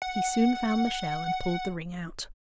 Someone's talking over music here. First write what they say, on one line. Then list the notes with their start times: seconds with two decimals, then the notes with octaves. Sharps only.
He soon found the shell, and pulled the ring out.
0.02 F#5